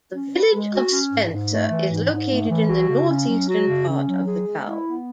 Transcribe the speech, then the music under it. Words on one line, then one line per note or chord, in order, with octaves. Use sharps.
The village of Spencer is located in the northeastern part of the town.
C#4
B4
G#3
F#4
C#4
G#2
G#2
A3
E3
G#2
G#2
A3
E3
F#4
C#3
C#4
F#3
F#4
C#3
C#4
F#3
G#4
G#3
E4
B3